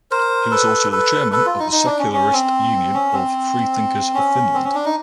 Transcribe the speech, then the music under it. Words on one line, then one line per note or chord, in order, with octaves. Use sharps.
He was also the chairman of the secularist Union of Freethinkers of Finland.
A#4 C5
A4 B4
A4 B4
A4 B4
F4
D#4
D#4
D4
C#4
C#4
C4
C#4
C4
C#4
C4
C#4
D4
D#4